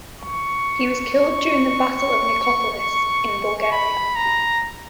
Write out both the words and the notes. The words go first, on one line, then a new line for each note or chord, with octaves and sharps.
He was killed during the battle of Nicopolis, in Bulgaria.
C#6
B5
A#5